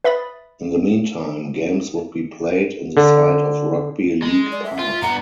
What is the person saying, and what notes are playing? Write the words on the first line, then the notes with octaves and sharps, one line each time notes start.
In the meantime, games would be played in the site of Rugby League Park.
B4 E5 B5 D#6 A6
D3
G#3
D5
E5
F4
G2 B3 F#5 A#5